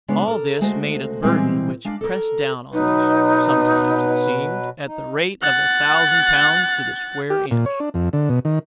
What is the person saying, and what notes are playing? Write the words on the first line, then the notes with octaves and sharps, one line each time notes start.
All this made a burden which pressed down on us, sometimes, it seemed, at the rate of a thousand pounds to the square inch.
C#3 G#3 B3 D4 C#5
A4 A#4
D2 G#3 A3 F#4 C5
A#2 E3 G3 G#3 A#3 C4
G#3 D4 F5
A4 A#4
B2 F#3 D#4 B4
D#4
F#5 A6
G4
A#2
C#5
D4
F2
D3
B2
D#3